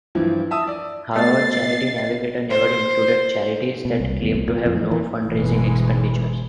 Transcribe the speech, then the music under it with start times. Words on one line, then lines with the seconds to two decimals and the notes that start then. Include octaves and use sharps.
However, Charity Navigator never included charities that claim to have no fundraising expenditures.
0.15 G2 E3 F3 E4
0.51 E5 A5 D#6 E6
0.67 D5
1.16 B2 A3 D#5 A6 C7
2.50 C5
3.85 B2
4.00 C2
4.22 E2
4.35 C2
4.48 A#2
4.66 F2
4.77 E3
4.91 E3
5.23 G1 B2 E3 G#3